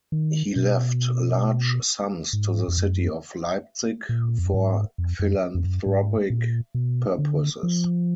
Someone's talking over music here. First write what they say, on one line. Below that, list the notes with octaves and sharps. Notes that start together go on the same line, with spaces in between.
He left large sums to the city of Leipzig for philanthropic purposes.
D#3
B2
G#2
F2
F#2
A#2
F2
F#2
G#2
F2
F#2
F2
F#2
G#2
A#2
B2
D3
F3